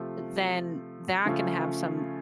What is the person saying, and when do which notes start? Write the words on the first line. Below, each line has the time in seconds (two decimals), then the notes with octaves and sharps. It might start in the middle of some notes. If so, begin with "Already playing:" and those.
then that can have some
Already playing: C3 F3 A3
1.25 C#3 F3 A3 C#4 F4